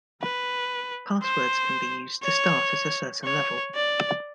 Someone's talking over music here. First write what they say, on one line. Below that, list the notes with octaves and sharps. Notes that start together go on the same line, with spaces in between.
Passwords can be used to start at a certain level.
B4
C5
C#5
C#5
D5